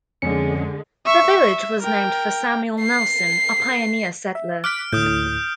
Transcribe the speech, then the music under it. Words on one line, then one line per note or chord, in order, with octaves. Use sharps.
The village was named for Samuel Nelson, a pioneer settler.
F2 D3 G#3 C#4 C#7
E5 C#6
E5
A#4 G5
C7
E5
D6 F6 F#6 B6 D7
D2 A2 D#6 G6